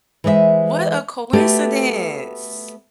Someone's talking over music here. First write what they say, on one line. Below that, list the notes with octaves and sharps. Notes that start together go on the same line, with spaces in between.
What a coincidence.
E3 G#3 C5 D5 E5
A3 B3 F#4 G4 A4